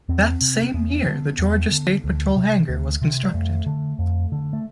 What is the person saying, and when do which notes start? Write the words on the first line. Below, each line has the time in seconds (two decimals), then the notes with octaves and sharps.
That same year, the Georgia State Patrol Hangar was constructed.
0.09 E2 C4
0.41 C3
0.63 C4
0.74 E2 B3
1.06 D3
1.39 E2
1.71 D3
2.04 D2
2.36 C3
2.69 D2
3.02 C3
3.23 G3
3.34 F2 A3
3.66 D3
3.99 F2
4.32 D3
4.53 A3